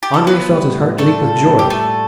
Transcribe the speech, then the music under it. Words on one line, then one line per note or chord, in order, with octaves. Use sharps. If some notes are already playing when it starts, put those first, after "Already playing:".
Andrea felt his heart leap with joy.
G4
A4
B3 F4 B4
G3
A2
A3 D4 A4
F4
G3
G4
A2 A3 A4